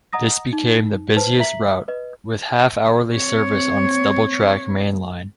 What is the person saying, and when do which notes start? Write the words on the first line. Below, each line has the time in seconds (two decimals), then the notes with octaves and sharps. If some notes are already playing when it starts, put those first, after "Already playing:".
This became the busiest route, with half-hourly service on its double-track main line.
0.13 D#5 F#5 A#5 D#6 A#6
0.53 D#4
1.16 B4 C5 A5
1.40 E5 A#5 B6 F#7
1.88 B4 D#5
3.14 C4 C#5